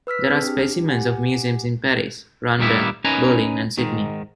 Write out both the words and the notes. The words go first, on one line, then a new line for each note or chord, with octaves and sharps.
There are specimens in museums in Paris, London, Berlin, and Sydney.
B4 E6 F6 B6
C4 G#4 F6
D4 G4
G4 F#5 G#5
G2 A#2 D#3 G3 B3 E4
C#4 D#4 A#4 B4 G#5 A#5
G#2 D#3